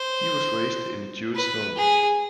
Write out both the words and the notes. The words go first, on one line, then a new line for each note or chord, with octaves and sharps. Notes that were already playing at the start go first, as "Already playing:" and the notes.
He was raised in a Jewish home.
Already playing: C5
B4
G#4